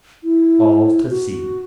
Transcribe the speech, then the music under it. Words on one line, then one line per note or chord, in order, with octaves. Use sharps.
All to see.
E4
F#4